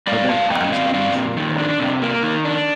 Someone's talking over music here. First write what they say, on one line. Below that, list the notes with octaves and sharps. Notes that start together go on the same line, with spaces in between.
Other prams are usually oar powered.
G3 D5 F5
A#2 F5 A5
A#2 D#5 G5
C4 D5 F5
D#5
G3 D5 F5
A#2
D#3
D4
C3
A#3
D#3
D4